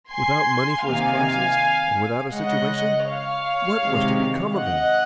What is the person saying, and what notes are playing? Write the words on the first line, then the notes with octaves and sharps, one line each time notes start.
Without money for his classes, and without a situation--what was to become of him?
G#5 C6
C3 D#3 A#3 F5 G#5
C#3 G#3 D#5 F#5
C#5 F5
C3 D#3 G#3
D#5 F#5